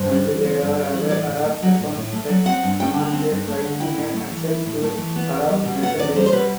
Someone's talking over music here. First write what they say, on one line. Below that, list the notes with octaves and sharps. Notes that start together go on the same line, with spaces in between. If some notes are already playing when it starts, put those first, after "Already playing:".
And there are other Arab accounts that demonstrate Vikings had access to Arab merchandise.
Already playing: G2 C5
G3
E3
C4
G2
G3
E3
A2 D5
A2
A3
F#3
A2
A2
A3
F#3
C4 F#5
G2
A3 G5
D3
C4
G2
A3
D3
E4 G5
A2
A3
E3
E4
A2
A3
E3
B3
E2
G3
B2
B3 F#5
E2 D5
G3 C5
C5
B2 B4